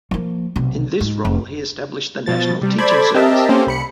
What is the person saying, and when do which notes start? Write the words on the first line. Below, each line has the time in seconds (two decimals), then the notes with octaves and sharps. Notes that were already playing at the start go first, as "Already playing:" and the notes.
In this role he established the National Teaching Service.
0.11 F3 A#3
0.56 B1 C3
1.01 G#2
1.25 F1
2.26 B2 F3 A6
2.61 C3 G3
2.78 A4 C5 D5 B5 G#6
3.14 C4 G4 A#4 D#5 E5 A5
3.49 A#3 C4 C#4 G4 A4 C5
3.67 C2 B5 C#7